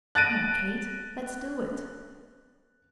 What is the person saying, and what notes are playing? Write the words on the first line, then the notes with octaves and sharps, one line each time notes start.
Come on, Kate, let's do it!
F#6 A6 A#6 D7 D#7